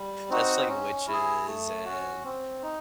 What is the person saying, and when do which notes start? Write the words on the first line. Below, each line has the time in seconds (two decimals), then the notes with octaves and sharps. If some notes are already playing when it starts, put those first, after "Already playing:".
just like witches and
Already playing: G3
0.29 C4 D#4 F#4
0.68 C#4
1.07 E4
1.12 G#4
1.46 A3
1.85 C#4 F#4
2.24 C4
2.62 D#4